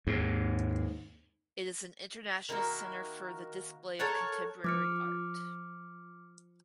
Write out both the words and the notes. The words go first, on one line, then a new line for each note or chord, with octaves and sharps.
It is an international centre for the display of contemporary art.
D#2 G#2
D#3 A#3 E4 F#4
A4 A#4 C#5 F#5
F3 D6 F6 C#7